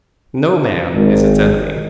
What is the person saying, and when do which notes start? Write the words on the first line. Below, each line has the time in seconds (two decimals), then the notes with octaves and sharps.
No man is its enemy.
0.95 G#1